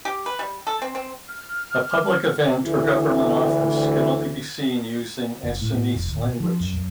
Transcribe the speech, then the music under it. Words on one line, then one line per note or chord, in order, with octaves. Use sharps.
A public event or government office can only be seen using Assamese language.
G4
B4
G3
A4
C4
C4
F6
D2 E3
F#1
A2
A2
F1
D1
B2
F3
F#2
F#2